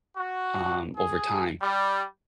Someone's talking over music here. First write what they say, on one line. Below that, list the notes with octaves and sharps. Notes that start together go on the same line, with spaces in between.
um, over time,
F#4
G#4
G3